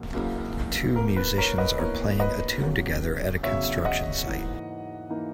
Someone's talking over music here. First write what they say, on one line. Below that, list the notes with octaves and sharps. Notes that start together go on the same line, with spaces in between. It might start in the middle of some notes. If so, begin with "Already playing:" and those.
Two musicians are playing a tune together at a construction site.
Already playing: C#2 C#3 F#3 A#3
C#2 C#3 F#3 A#3 E4
B2 A#3 E4 A#4
B4
A#4 C#5
B4 D#5
B2 A#3 E4 A#4 C#5
B4 D#5
E2 C#3 F#3 C#4
E2 C#3 F#3 C#4 C#5 E5
D#5 F#5
G#2 E3 A#3 D#4
E3 A#3 D#4